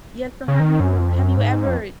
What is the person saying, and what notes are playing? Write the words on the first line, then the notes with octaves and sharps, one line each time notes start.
Yes, so have you have you ever,
C#3
D#3
F#2
F2
F#2
G#2
F2